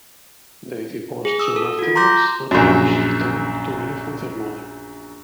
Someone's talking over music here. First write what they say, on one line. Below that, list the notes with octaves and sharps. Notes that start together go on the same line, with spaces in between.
They divorced soon afterwards and Rose returned to live with her mother.
G#4
D#6 E6
A4
F4 F#4
A#5 C6 D6 G6 A#6
A#1 F#2